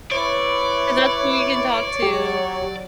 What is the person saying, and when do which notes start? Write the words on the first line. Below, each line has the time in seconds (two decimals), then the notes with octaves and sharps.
'cause that's who we can talk to
0.12 E4 B4 C#5 D5
2.03 F#3 G4